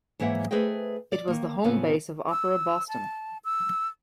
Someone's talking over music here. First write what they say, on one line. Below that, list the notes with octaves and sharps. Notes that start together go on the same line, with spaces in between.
It was the home base of Opera Boston.
G#2 E3 A#3 C#5 E5 F#5
A3 G#4 B4 C5 D#5 G5
D5
D#3 A#3
A2 C#3 F3 B3 C4
E6
A5
E6